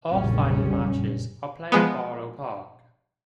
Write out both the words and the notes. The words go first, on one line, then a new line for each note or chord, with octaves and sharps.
All finals matches are played at Barlow Park.
F1 A#1 F#2 C#3 G3 C#4
F3 G#3 B3